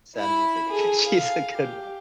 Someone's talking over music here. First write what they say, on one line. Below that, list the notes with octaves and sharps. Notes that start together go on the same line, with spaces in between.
sad music, she's a good one.
E4 B5
G#4 A4
F5
G4